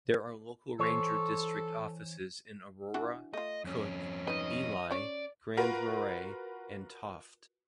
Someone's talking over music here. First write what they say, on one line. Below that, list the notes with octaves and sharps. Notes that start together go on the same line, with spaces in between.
There are local ranger district offices in Aurora, Cook, Ely, Grand Marais, and Tofte.
E3 A4 C5 C#5
E3 D4 F#4
A3 F4 D#5
F2 C#4
D#4 B4 D#5
C#4 C#5 D5
F4 F#4 A#4 B4